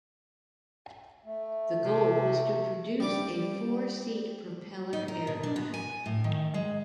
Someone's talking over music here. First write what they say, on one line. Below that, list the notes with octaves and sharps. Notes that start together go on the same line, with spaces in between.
The goal was to produce a four-seat propeller aircraft.
A3
C3
G3 D6
D#4
A#4
B2
D4
B3
G#5
A2
D#3
G#3